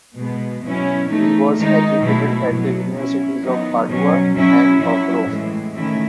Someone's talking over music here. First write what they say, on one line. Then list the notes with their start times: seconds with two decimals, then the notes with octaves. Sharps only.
He was educated at the Universities of Padua and of Rome.
0.16 B2 G#3 B3
0.63 B2 F#3 C#4 E4
1.09 E3 A3 D#4
1.55 D#3 G#3 D#4
2.02 B2 F#3 A3 E4
2.49 B2 F#3 B3
2.95 F#3 C#4 E4
3.42 D#3 F#3 B3 D#4
3.89 B2 F#3 C#4
4.36 F#3 C#4 E4
4.81 F#3 C#4 E4
5.28 A2 E3 G#3
5.75 D#3 A3 C#4 E4